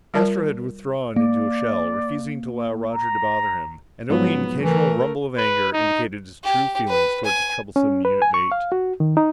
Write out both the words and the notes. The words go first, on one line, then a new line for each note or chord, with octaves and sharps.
Astro had withdrawn into a shell, refusing to allow Roger to bother him and only an occasional rumble of anger indicated his true feelings toward his troublesome unit-mate.
G3 F4 A#4 D5 A5
A#3 D5
A#5
G#2 F3 F#3 B3
E3 A3 A#4
B4
D#4
G4
B4
G#5
C#4
B4
G#5
C#6
F5
F#4
D#3
D#4